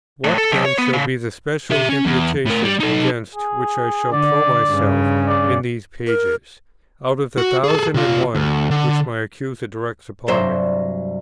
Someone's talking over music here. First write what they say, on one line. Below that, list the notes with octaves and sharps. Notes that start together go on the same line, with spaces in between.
What then shall be the special imputation, against which I shall throw myself in these pages, out of the thousand and one which my Accuser directs upon me?
A2
A4
B1
C#5
B3
C#3
G4 E5
C#4
E2
A2 A#4
G3
D#4 A4
G#4
D3 D5
G2 C#3
D5
A#4
F#4
G#4 A4
C3 F4
D2
D3
C2 G2 F#3 C5 E5